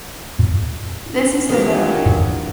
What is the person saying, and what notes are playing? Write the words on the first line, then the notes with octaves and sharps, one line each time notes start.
This is the donut.
A#2 D#3 E3 F#3 A3 D4 G4 G#4